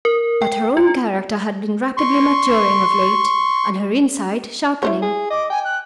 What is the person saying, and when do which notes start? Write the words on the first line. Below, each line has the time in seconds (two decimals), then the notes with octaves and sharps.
But her own character had been rapidly maturing of late, and her insight sharpening.
0.05 A#4
0.42 G5
0.77 F4
1.97 C6 C#6
4.83 E4 C5 C#5
5.02 G#4
5.31 D#5 D6
5.50 G5 G#5
5.64 F#6